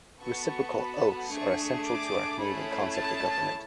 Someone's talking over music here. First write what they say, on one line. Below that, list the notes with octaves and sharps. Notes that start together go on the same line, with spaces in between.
Reciprocal oaths are essential to our Canadian concept of government.
B3 F#4 A4 C#6
B5
A3 D4 G#4 C#6
D6
A3 C#4 E4 G#4 B5
A5